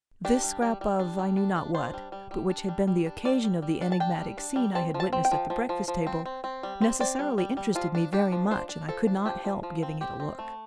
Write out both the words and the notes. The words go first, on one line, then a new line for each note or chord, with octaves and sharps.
This scrap of I knew not what, but which had been the occasion of the enigmatic scene I had witnessed at the breakfast-table, necessarily interested me very much and I could not help giving it a look.
D4 G4
G3
G3
G3
D4
G3
D4
D4
D4 C5
G3
G3
G3
D4
G3
G3
D4
G3 D5
G3
G3
D4
A5
D4 G5
G3
D4
G3
C4 A5
F3
A5
C4
G5
F3
F3
F3
F3
C4
C4
C4
G3
C4
C4 D5
G3
G3
G3
F3 F4
D4
D4 G4
F3
D4 C5
D4
F3 A4
D4
F3 G4
F3
F3
C4
C4 G4
C4
A3